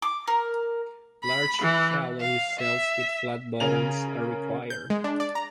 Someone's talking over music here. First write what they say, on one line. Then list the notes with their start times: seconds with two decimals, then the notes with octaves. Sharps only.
Large shallow cells with flat bottoms are required.
0.02 D6
0.27 A#4
1.24 B5
1.61 E3
2.21 F5
2.60 E5
3.60 C#3 C#4 A#4 G#5 F7
4.70 G6
4.90 G#3
5.04 D4
5.20 D5
5.35 A#5